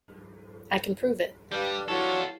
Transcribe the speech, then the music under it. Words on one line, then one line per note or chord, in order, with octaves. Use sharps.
I can prove it.
G3 D4 G4 B4 F5
F#3 D4 E4 F4 A4 C#5